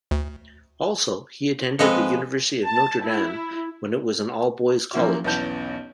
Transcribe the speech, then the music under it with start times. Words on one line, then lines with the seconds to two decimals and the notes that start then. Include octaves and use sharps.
Also, he attended The University of Notre Dame, when it was an all-boys college.
0.11 D2
1.79 F3 G#3 C4 A4 B4 D#5 C#7
2.66 A5
3.03 E4
4.93 F3 F#3 A#3 C#4 E4 F#4
5.24 B1 E2 B3 C#4 A5 G6